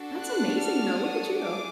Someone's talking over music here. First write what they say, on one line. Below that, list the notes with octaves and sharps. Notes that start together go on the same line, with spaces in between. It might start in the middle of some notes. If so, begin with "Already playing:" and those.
That's amazing, though. Look at you.
Already playing: D4 F#4 A4
F#6
F6
D#6
G#4 D6